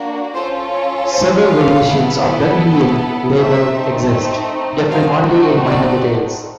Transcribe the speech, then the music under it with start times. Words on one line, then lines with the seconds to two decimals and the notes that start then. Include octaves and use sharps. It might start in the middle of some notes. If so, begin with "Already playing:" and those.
Several variations of the "Indian" label exist, differing only in minor details.
Already playing: A#3 D4 F#4
0.34 C#4 F4 A4 C5
0.73 C#5
1.10 C5
1.49 F5
1.87 B3 E4 A4
3.37 A3 C4 D#4 E5
4.90 A3 C4 D#4 F#4 F5
5.66 D5